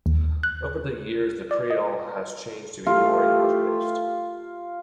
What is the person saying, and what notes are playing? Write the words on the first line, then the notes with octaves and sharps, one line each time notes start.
Over the years the creole has changed to be more English-based.
D#2
F#6
D5
D#5
A3 F4 G4